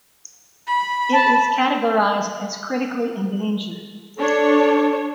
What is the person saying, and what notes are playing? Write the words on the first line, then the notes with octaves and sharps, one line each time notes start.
It is categorized as Critically Endangered.
B5
A5
D4 A4 C#5